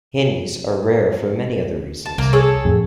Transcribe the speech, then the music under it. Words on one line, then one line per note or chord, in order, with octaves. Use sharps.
Hinnies are rare for many other reasons.
A5
C2 A#3
G#4 A4 C#5
F2 A2